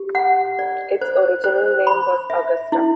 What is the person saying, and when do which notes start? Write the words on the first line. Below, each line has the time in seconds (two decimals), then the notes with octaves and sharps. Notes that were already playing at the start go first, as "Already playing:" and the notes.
Its original name was Augusta.
Already playing: G4
0.15 F#5
0.59 D5
1.01 C5
1.44 C5
1.87 B5
2.30 E5
2.72 E4